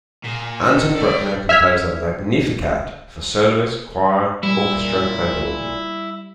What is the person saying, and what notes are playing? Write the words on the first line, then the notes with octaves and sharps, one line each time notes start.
Anton Bruckner composed a "Magnificat" for soloists, choir, orchestra, and organ.
A#2 G#4
D#3 A4
A4 D5 G5
E5 F6 G#6 B6
A#2 G3 E4